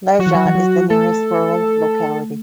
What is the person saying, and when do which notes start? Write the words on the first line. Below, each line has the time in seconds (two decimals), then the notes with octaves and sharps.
Lezha is the nearest rural locality.
0.19 F#3 F#4
0.27 E3
0.35 F#3
0.46 E3
0.55 F#3
0.90 A3 A4